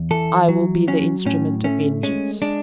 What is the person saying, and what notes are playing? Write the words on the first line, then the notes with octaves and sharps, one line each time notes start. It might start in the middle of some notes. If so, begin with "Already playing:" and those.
"I will be the instrument of vengeance."
Already playing: E2
E3 A4
F#3
F#3 C#4
A2 C#4
A3 C#4
G#3 C#4
G#3 D4